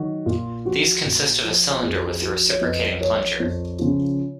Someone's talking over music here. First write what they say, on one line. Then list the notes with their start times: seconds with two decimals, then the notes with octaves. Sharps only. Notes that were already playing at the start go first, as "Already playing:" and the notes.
These consist of a cylinder with a reciprocating plunger.
Already playing: D#3 F#3 F#4
0.26 A#2 F4
0.65 F3 F#4
1.05 A#2
1.44 F3
1.83 F2 G#4
1.94 F#4
2.05 F4 G#4
2.22 F3 F#4 A#4
2.49 C#5
2.61 F2 B4 D#5
3.00 F3 A#4 C#5
3.40 F2
3.79 C#3 F3